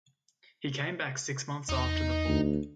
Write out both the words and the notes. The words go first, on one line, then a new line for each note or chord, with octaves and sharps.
He came back six months after the fall.
E2 D#4
D2